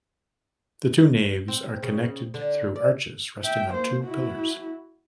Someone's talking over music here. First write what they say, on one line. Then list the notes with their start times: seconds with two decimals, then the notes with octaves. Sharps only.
The two naves are connected through arches rested on two pillars.
1.48 C4
1.83 C#3
2.34 D3
2.76 D5
3.43 E5 G5
3.73 A#3 C5
4.04 E4 F#4